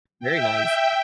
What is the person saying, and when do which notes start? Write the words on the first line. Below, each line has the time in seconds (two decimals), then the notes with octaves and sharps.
Very nice.
0.20 E5 G5